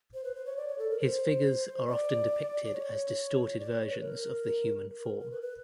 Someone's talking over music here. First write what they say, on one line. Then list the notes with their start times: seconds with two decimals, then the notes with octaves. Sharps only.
His figures are often depicted as distorted versions of the human form.
0.14 C5
0.24 B4
0.35 C5
0.46 C#5
0.57 D5
0.68 C#5
0.78 A4
0.90 A#4
1.01 C5
1.87 D5
2.66 D5
2.73 C#5
3.59 D5
3.70 C#5
3.81 C#5
3.91 B4
4.03 A#4
4.99 A#4
5.20 A#4
5.31 B4
5.42 B4